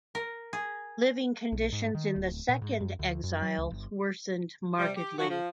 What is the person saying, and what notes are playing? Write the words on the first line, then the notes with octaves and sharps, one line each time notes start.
Living conditions in the "second exile" worsened markedly.
A#4
G#4
B1
G#2
D#3
D1
A#2
G#2
F#2
D2
F#2
F#3
C#2
G1
C3 G3
G4
F3 F#3 F#4
F3